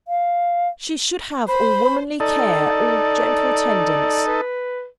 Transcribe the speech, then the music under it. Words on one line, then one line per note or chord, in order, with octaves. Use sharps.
She should have all womanly care, all gentle tendance.
F5
C5 B5
D#4 A4 D5
B4